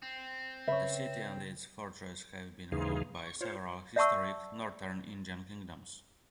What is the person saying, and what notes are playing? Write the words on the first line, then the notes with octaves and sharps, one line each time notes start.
The city and its fortress have been ruled by several historic northern Indian kingdoms.
C4
C#3 B4 C#5 E5
D#2 C#3 E3 D#4 G#4 F5
C#6
F4 C5 C#5
D5 E5 F#5 A5 C#6 E6